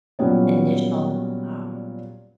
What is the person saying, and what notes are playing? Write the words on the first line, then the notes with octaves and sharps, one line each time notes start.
initial, um,
A#2 F#3 G3 B3 C#4